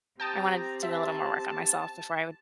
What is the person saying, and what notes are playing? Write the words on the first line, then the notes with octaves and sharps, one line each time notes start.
I wanna do a little more work on myself before I would
C4 G4 G5 A5 A#5 D#6
E5 A5